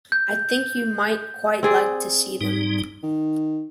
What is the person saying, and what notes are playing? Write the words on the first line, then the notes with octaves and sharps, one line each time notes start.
I think you might quite like to see them.
G6
C4 G#4 D5
G#2 G3 D#4
D#3